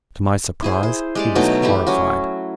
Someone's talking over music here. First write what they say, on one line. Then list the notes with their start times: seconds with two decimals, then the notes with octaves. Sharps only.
To my surprise he was horrified.
0.62 E4 G#4 C5
0.83 C5
1.15 G#3 G4 D5
1.35 B2 F#3 A3 D#4
1.62 E3 A3 E4 G4
1.87 F#3 C#4 F#4